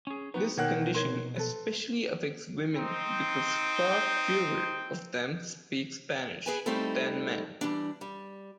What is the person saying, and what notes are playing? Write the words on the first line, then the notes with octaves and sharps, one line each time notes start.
This condition especially affects women because far fewer of them speak Spanish than men.
C#4 G#4
B3 D#4 F#4 G4
B2 D#3 A#3 C#5 F#5 G5 F#6
D#4 A#4 C#5 C6
A4 B4
C4 D#4 C5 G5
G#4 B4 G#5
G3 A3 C4 D#4 E4 A4
E3 G3 D4
G3